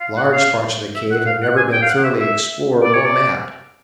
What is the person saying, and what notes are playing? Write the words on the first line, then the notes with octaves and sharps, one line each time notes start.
Large parts of the cave have never been thoroughly explored or mapped.
F5
F#5
F5
E5
F#5
F5
F#5
G#5
G5
F5
F#5
E5
E5
D5
C#5
D5